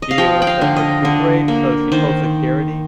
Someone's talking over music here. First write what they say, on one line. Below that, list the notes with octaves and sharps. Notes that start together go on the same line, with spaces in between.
be able to recuperate, so she told security,
D#5
F5
F3 G5
G5
F5
D3
D#5
D3
A#3
D#3 C5